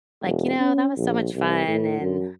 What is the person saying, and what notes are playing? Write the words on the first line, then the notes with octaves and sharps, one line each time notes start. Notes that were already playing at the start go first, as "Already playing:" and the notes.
like, "You know, that was so much fun, and,
E1
C#4
A#1
C2
A2
F#2